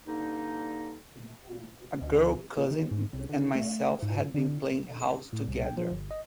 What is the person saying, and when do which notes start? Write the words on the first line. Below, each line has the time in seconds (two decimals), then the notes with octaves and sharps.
A girl cousin and myself had been playing house together.
0.07 G2 D3 A#3 D#4
2.02 D2
2.57 A#2
2.71 D#3
2.91 G#2
3.13 C2
3.29 D3
3.55 A3
4.03 G#2
4.34 D3
5.33 A2
5.48 C2
5.65 G5
5.77 F3
5.92 G1
6.11 D#5